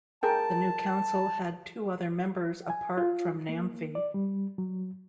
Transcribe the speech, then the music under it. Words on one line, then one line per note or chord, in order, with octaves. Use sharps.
The new council had two other members apart from Namphy.
G#4 A#4 G5 A5
G#5
F4
A#3
D5
G3
F#3